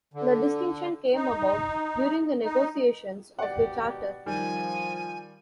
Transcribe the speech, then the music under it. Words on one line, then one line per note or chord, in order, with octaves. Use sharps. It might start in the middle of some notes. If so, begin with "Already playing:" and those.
The distinction came about during the negotiations of the "Charter".
D3
D#4
D#4
G#1 B2 G4 D5 F#5
D#3 F3 G3 G#5